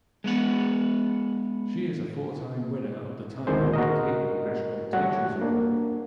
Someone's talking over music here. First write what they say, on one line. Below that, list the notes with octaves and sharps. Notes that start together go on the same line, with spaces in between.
She is a four-time winner of the Time Warner Cable National Teachers Award.
G#3 B3 F#5
D2 D3 D#3 G#3 G#4 C5
F#4 A#4 D#5
G3 A3 F#4 C#5 F#5 C#6
A#3 D4